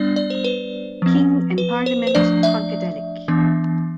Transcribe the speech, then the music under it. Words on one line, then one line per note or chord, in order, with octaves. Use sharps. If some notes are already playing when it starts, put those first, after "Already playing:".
King, and Parliament Funkadelic.
Already playing: G3 B3 D4 D5
D5
C5
B4
F3 C4
B4
C5
C5
F3 A3 D4 D5
E5
E3 B3 D4